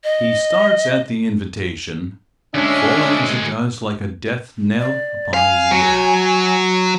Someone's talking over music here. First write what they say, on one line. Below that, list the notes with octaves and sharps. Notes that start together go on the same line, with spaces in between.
He starts at the invitation--falling, as it does, like a death-knell upon his ear.
D#5
D2 G#3 C#4 D4 E5
D5
F5 G#5
F#3